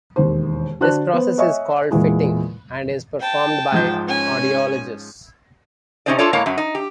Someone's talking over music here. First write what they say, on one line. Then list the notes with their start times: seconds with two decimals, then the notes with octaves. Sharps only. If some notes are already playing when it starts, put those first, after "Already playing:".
This process is called "fitting" and is performed by audiologists.
0.16 E1 D#2 C5
0.81 D3 F#4 C5 D5 A5 F#6
1.13 B3 C5
1.38 C#5 D#5 E5 G#5 C#6
1.91 E2 A#2 G#3 E4
3.20 G5 A5
3.72 G#2 F3 G6
4.08 C#4 G#5
6.06 C3 G3 C#4 D#4 C5 D5
6.18 D4 F4 A4 C#5 D5
6.33 A2 G#3 A#3 C#5 F5 A#5
6.46 F#2 F#3
6.58 D#4
6.75 G4